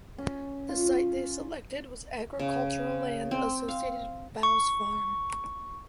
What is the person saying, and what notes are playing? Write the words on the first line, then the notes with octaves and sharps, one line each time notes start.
The site they selected was agricultural land associated with Bowes Farm.
C#4
F4
C#3
C4
F5
C#6